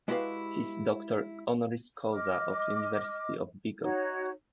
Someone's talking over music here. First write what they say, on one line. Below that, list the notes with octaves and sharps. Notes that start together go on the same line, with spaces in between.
He is Doctor Honoris Causa of the University of Vigo.
G#3 E4 F#4 G4 B4 F5
D#5 D6 F6
D#4 F#4 C#5